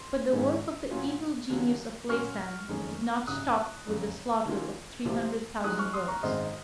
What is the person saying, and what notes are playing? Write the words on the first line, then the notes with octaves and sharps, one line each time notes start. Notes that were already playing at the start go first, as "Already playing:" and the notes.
But the work of the Evil Genius of Laysan did not stop with the slaughter of three hundred thousand birds.
Already playing: C6
G#1 G#2 D#3 G#3 C#4
A#2 F#3 C#4 F4
D#2 C#3 F#3
A#2 F#3 A#3 C#4 C#6 F6
F#1 F2 D#3 G#3 C#4
G#1 F#2 C#3 D#6 F#6
F#1 F2 C#3
D#2 D#3 A#3 C#4 F4
C2 C3 F3 C4 F4
F#1 F#2 F3 G#3 D#4 D#6 F#6
C#6 F6
C6 D#6
A#5 C#6
G#1 F#2 D#3 G#3 C4 C5 D#5